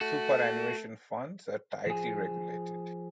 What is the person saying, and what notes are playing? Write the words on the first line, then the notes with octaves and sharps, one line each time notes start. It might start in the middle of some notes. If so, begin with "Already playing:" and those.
Superannuation funds are tightly regulated.
A3 F#4
F3 G#4